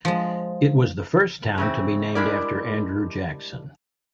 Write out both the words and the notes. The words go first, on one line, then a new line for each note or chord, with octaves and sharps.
It was the first town to be named after Andrew Jackson.
F3 G#3
C#3 E3 C4
G3 G#3 D4 E4 A#4 D5